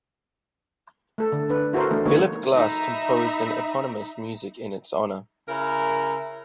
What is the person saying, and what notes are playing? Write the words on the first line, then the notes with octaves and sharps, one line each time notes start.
Philip Glass composed an eponymous music in its honor.
A3 A4
D3
D4 B4
E4 F#4 A4 A#4 C5
E3 A3 D4
D3 G#3 A#3 D#4 F#4 C#5
D#4 E5 A#5 B5
C#3 E4 A#4